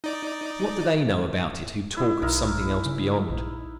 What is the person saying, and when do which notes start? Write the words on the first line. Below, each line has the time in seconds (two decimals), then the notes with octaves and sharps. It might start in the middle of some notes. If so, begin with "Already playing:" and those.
What do they know about it who talk of something else beyond?
0.04 D#4 D5
1.97 E4 D#5
2.22 B1 D#4 E4 A#4
2.86 C#3
3.30 A#1